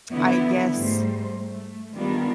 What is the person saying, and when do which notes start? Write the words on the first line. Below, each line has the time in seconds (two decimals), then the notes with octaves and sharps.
I guess,
0.12 D3 E3 B3 E4
0.75 G#2 G3 A3 C5
1.44 A3
1.95 D#3 G3 G#3 B3 D4 F4